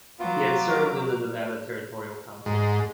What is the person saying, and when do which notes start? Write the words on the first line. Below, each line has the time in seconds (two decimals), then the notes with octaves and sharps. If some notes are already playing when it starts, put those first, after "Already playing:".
He had served in the Nevada Territorial Council.
0.19 F#3 B3 F4 A#5 D6
2.46 G#2